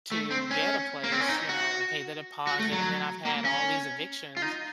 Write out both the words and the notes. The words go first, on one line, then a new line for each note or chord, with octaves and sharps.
to get a place, you know, and pay the deposit, and then I've had all these evictions.
A3
C4
C#4
A#3
C4
C#4
D#4
F#4
F#4
A3
F#3
A#3
C#4
F4
D#4